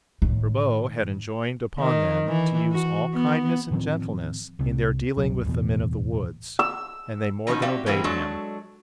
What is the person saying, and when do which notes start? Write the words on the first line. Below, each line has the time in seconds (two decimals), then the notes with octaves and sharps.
Ribaut had enjoined upon them to use all kindness and gentleness in their dealing with the men of the woods; and they more than obeyed him.
0.22 A2 D#3
1.79 D#3
2.27 E3
2.71 F#4
3.14 B3
3.71 A2 D#3 F3 C4
4.59 C2 C3
5.17 G1 C2 B2 F#3
5.44 D1 A1 E2 B2
6.59 E6
7.47 B2 D#3 F3 B3 C#4 D#4
7.62 C4 F#4 G4 D5 E5 F5
7.86 B2 E3 G#3 A#3 C4
8.04 F#3 G#3 D4 F#4 A4